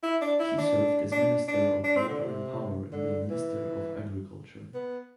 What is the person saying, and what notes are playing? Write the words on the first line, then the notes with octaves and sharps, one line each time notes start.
He served as minister of water and power and then minister of agriculture.
E4
D4
E4
D4
D4
D4
D4
C4
D3
C3
D3
E3
B3